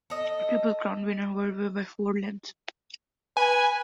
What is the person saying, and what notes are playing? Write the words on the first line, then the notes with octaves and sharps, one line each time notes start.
Triple Crown winner Whirlaway by four lengths.
A4 D#5
B4 G#5